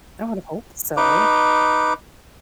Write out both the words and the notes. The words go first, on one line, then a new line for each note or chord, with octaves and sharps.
I would hope so.
D#4 B4 D6